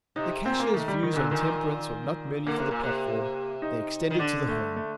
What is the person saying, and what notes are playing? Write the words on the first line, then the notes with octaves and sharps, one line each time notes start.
The cashier's views on temperance were not merely for the platform; they extended to the home.
C3 D#4
A#2 C4
A#3
D#3 A3
G3
D#3
A#2 D3
A#2 D#3
D3 A#3
C3
A#2
C3
D#4
D#3
D3 D4
A3
A3